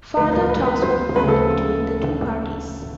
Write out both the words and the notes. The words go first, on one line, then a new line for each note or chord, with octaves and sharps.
Further talks were planned between the two parties.
D2 D3 F3 B4
A#4
B4
B4
C5
D2 C#3 F3 B4
A4